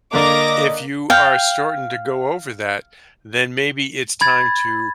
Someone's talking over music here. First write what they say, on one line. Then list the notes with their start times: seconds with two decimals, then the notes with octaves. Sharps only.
if you are starting to go over that, then maybe it's time to,
0.13 D3 A#3 D5 D#5 D6 A#6
1.10 F5 G5
4.21 B5 G#6 A6